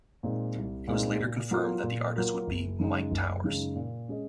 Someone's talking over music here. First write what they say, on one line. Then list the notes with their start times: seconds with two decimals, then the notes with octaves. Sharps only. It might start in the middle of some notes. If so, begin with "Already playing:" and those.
It was later confirmed that the artist would be Myke Towers.
0.23 A#2 G#3 C4 D#4
0.56 C2
0.88 A#2 G#3 C4 D#4
1.20 A#2
1.51 F#3 A#3 F4 A#4
1.83 A#2
2.16 F#3 A#3 F4 A#4
2.47 F#1
2.79 F#2 C#3 G#3 D#4
3.11 F#1
3.44 F#2 C#3 G#3 D#4
3.76 A#2
4.08 G#3 C#4 G#4 D#5